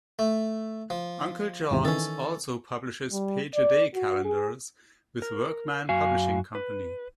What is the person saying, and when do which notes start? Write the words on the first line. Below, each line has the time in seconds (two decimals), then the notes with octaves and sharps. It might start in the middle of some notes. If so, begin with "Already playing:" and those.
Uncle John's also publishes Page-a-Day calendars with Workman Publishing Company.
0.19 A3
0.90 F3
1.71 G#1 E2 C3
1.85 D#3 E3 C#4 A4
3.12 G3
3.55 D5
3.94 F#4
4.25 G#4
5.22 A#4
5.89 F#2 F#4 F5 G#5
6.55 B4